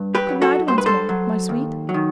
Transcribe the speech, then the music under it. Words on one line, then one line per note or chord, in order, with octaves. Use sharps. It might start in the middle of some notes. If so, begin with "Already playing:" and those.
Good-night once more, my sweet.'
Already playing: G2
G4 B4
F#3
F#4 A4
G2 C5
B4
A4 C5
F#3
D#2
F#3
D#3